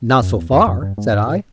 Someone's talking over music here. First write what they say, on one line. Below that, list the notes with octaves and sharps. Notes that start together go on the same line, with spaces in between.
"Not so far," said I.
F#2
E2
F2
F#2
G2
G#2
G#2
A2